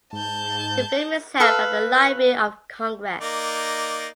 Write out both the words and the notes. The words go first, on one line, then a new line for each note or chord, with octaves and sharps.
The film is held by the Library of Congress.
G#2 A5 G6
A4 B4 F5
A#3 D#4 D5